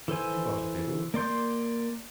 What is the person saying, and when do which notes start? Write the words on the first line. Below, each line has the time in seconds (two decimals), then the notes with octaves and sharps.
"Have you got a fiddle?"
0.08 E3 A4 C5 G#5
1.14 A#3 D5 C6 G6